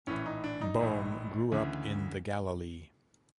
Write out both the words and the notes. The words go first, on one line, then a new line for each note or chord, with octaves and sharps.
Boehm grew up in the Galilee.
A#1 A2 E3 C#4
D#4
D4
D#4
A#1 A2 E3
D2 C#3 E3